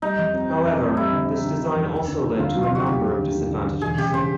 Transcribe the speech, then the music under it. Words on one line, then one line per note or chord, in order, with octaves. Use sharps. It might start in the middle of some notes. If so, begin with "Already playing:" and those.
However, this design also led to a number of disadvantages.
G3 D#4
F2
C4
C4
F2
C4
G3 E4
D3
D3
D3
D3
F2
D#2
D3
D#2
D3 F4
F#3
F4
D3 F#4
D#2 G4
F#3
D3
D#2
D3
D3
E1 G#4
C#3 G4
C#3 C5